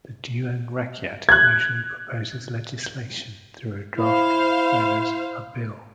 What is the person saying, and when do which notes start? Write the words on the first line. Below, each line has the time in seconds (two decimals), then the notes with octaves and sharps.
The "Dewan Rakyat" usually proposes legislation through a draft known as a 'bill'.
1.29 F#6 G#6
3.98 E4 C5 F5